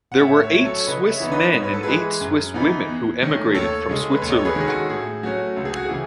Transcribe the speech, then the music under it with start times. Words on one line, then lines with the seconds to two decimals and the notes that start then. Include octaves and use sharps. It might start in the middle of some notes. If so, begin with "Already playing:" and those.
There were eight Swiss men and eight Swiss women who emigrated from Switzerland.
0.12 F#5
0.19 A2 C#5 E5
0.42 C#5 E5
0.53 F#3 C#4
0.65 A4 C#5
0.80 C#5
0.87 C#3 B4 D#5
1.09 C#5 E5
1.20 E3 B3 D#4
1.31 B4 D#5
1.53 G#2 C#5
1.64 B4
1.74 A4
1.83 E3 G#3 G#4 B4
2.21 F#2
2.54 E3 B3 D#4
2.88 E2
3.21 D#3 A3 C#4
3.55 D#2 A4 C#5
3.89 C#3 G#3
4.11 B4
4.22 D#2 A4 C#5
4.30 D#5
4.37 C#5
4.45 G#4 B4
4.56 D#3 G#3 C#4 G#4
4.66 F#4 A4
4.90 A2 G#4
5.23 F#3 A3 C#4 F#4
5.56 C#2 A4
5.65 G#4
5.76 F#4
5.85 C#3 E3 A3 G#4